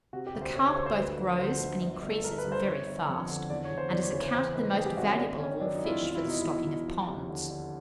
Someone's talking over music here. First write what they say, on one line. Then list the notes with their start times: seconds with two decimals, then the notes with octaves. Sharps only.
The carp both grows and increases very fast, and is accounted the most valuable of all fish for the stocking of ponds.
0.13 C3 F#4
0.27 G4
0.34 D2
0.41 C5
0.55 D2 C#5
0.65 C#5
0.76 D2 C5
0.86 C5
0.97 D2 B4
1.18 F3
1.39 D3 C5
1.60 D2
1.81 G1
2.02 G1
2.11 A4
2.23 G1 A#4
2.38 B4
2.44 G2
2.52 C5
2.65 G1 C#5
2.87 G1
3.08 F2
3.28 D3
3.50 E2 D5
3.64 C#5
3.71 E2
3.78 C5
3.91 E2 D5
4.02 C#5
4.12 C#3 C#5
4.23 C5
4.34 E3 C5
4.55 G#2 B4
4.76 G#1 G#4
4.86 G4
4.97 G#1 F#4
5.08 C#4
5.18 G#1 D4
5.39 D#3 C#4
5.60 F#2 D4
5.75 D#4
5.82 G#1 E4
5.88 F4
6.02 E2 F4
6.15 E4
6.24 B2 D#4
6.39 E4
6.44 E2
6.65 E2
6.87 F3
7.07 D#2
7.29 D3
7.50 D3